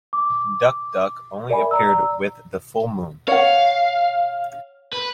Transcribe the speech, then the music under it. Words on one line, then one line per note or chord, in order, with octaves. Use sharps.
Duk-Duk only appeared with the full moon.
D6
A#4 D5 E5 G#5 B5
D5 A#5 E6
C#5 F5 F#5
B4